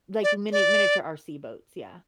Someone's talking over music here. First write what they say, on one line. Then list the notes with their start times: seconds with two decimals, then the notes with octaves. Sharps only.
Like mini miniature RC boats, yeah
0.24 D5
0.52 D5